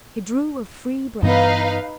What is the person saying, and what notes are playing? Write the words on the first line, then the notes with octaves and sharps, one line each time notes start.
He drew a free breath.
G2 E3 B3 D#4 B4 F5